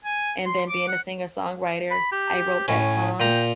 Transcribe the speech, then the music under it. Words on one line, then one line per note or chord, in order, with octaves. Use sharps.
And then being a singer-songwriter, I wrote that song.
G#5
C6
D6
F#5
B5
G4
A2 C#4 G#5
A#2 G5 A#5